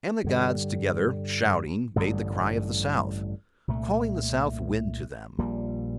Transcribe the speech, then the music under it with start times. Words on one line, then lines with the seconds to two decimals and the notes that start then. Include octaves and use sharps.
And the gods together shouting made the cry of the south, calling the south wind to them.
0.24 G2 D3 G3
1.96 A1 G2 D3 G3
3.68 C2 A#2 A3
5.38 A#1 A#2 G3